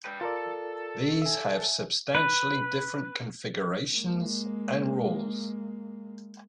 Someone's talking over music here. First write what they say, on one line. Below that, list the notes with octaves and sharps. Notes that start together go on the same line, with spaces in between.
These have substantially different configurations and rules.
B4 G5
F4 A4 A#4 D5
E5 G#5
B4
G#3 A#3